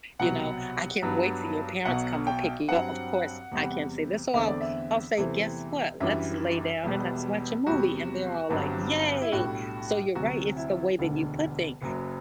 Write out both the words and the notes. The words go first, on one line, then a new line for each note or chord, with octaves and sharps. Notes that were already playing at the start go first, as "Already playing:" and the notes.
you know, "I can't wait till your parents come to pick you up." Of course, I can't say this, so I'll I'll say, "Guess what, let's lay down and let's watch a movie," and they're all, like, "Yay!" So you're right, it's the way that you put things.
C2 B2 F#3 F#5
G2 F#3 B3
B1 B2 F#3 F#5
G5
G2 F#3 C4 F#5
E2 C3 G3
E2 D3 A3 C4 E5
D5
E5
E2 C3 E3 A3 C4
F#2 E3 G3 D4 E5
E1 E2 B2 G3 B3
E2 C3 G3 F#4
G1 G2 F#3 C4
E4
B1 A2 G3 D4 F#4
D2 C3 F#3 C4 F#4
E4
E1 D2 D3
F#1 F#2 F#3